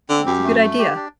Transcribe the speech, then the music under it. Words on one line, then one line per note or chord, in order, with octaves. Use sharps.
It's a good idea.
D3 C4
F#2 G4
A3
A3
G4
D4